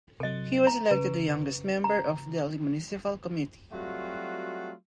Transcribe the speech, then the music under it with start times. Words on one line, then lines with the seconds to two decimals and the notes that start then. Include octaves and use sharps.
He was elected the youngest member of Delhi Municipal Committee.
0.20 C3 F#3 A4 D#5
0.67 A#5
0.91 C#3 B4
1.84 A#5
3.72 F#3 G3 A3 C4 F4 F#4